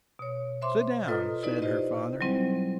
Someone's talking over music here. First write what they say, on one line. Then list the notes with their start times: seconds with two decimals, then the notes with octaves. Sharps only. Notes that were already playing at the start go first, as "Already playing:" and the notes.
"Sit down!" said her father.
0.19 B2 C#5
0.62 C5 E5 C6 D6
1.07 F4 A4 B4 D#5 A#5 D#6
1.43 D#4 E4 F#4 B4 D5
1.62 F4 G4 C5 D#5
2.21 F#3 G3 C4 E4 C5